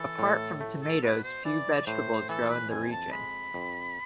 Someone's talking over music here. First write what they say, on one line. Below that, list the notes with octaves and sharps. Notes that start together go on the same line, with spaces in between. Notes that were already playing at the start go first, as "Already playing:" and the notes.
Apart from tomatoes few vegetables grow in the region.
Already playing: E3 A4
A2
A3
A4
B2 B4
C5
E3 D5
A2 C5
E3 A4
B4
F2 G#5
A5
G#3 B5
F2